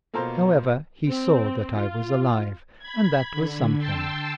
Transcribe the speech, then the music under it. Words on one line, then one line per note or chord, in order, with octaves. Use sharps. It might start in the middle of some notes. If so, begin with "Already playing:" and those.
However, he saw that I was alive, and that was something.
B2 A#3 F4 A4 C5 A#5
C4
F4
B5 G#6
D3
G5 A5 C6 E6